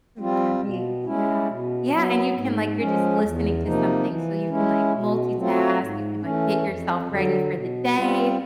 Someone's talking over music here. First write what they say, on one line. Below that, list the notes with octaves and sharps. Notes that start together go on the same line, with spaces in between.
Right, yeah yeah, and you can like, you're just listening to something, so, you can, like, multitask, you can, like, get yourself ready for the day.
G3 C4 F4
B2
G#3 C#4 E4
B2
F#3 B3
G#2
F3 G#3 C#4
E2
C3 F3 A#3 D#4
E3
G#3 C#4 E4
B2
F#3 A3 C4 F4
G#2
E3 A3 C#4
F2
D3 F#3
B2
G3 C4 F4